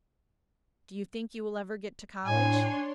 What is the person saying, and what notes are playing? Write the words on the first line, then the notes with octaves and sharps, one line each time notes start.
"Do you think you will ever get to college?"
A2 D4 C#5 G#5 C6